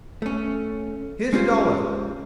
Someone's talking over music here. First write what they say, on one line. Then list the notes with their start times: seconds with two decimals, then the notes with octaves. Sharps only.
Here's a dollar.
0.22 A3 C#4
1.32 G#3 C#4 F4 G4 C5